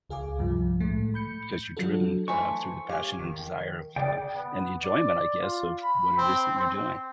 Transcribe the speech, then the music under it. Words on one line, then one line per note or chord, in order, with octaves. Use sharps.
because you're driven, uh, through the passion and desire of, uh and the enjoyment, I guess, of what it is that you're doing.
C#2 G#4 F5 G#5 D6
C2 G2 F3
A2 G#3 A3
B5 G6 C#7
F#3 D4 F4 F#4 A4
E3 A3 C5 C#6
G4 F5 G#5
D#3
C#3 D5 G5
B3
D5
F4
B5
C4
C4